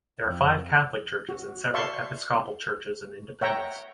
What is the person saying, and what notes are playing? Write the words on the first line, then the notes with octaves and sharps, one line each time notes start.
There are five Catholic churches and several Episcopal churches in Independence.
F2
F#4
D5 E5 F5 A5 C6 C#6
C#5 E5 F#5 G5 A#5